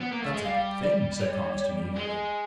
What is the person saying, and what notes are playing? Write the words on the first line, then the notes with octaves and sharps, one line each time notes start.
"That's a good thing," said Conniston, eagerly.
B3
A#3
A3
G#3
G3 F5
D5
C#5
G#3